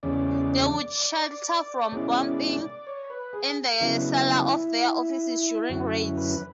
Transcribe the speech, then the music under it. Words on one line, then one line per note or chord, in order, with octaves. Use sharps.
They would shelter from bombing in the cellar of their offices during raids.
E2 C#3 G#3 C#4 D5
B2 G#3 C#4 E4 D5
C#5
B4
G#4
C#3 F#3 B3 D4 E4
F#2 D3 F#3 C#4 E4 F#4
B4